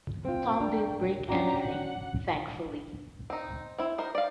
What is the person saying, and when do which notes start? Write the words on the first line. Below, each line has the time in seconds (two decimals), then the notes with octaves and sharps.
Tom didn't break anything, thankfully.
0.25 C4 F4 G5
0.60 D4 A#4
1.29 C#4 D4 F#4 G4 A#5
1.63 F#5
3.30 C4 D#4
3.78 C4 E4
3.98 D#4 A#4 C5
4.15 D5 F5